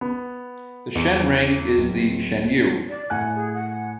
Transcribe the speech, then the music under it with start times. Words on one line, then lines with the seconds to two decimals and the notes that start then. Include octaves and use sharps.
The Shen ring is the 'shenu'.
0.01 B3
0.95 E2
1.77 D1
2.89 D5
3.10 A2 F#5 G#5 F#6
3.35 G#4
3.54 F#5